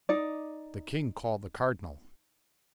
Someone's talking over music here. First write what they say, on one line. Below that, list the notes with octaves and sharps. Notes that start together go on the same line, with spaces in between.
The king called the cardinal.
D#4 D5